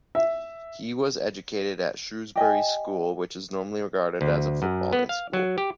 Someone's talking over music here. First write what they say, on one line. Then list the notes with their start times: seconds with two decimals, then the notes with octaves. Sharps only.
He was educated at Shrewsbury School, which is normally regarded as a footballing school.
0.15 E5
2.35 G4 D#5 G#5
4.21 D2
4.62 F#2
4.93 B3
5.09 F5
5.33 F#3
5.58 G4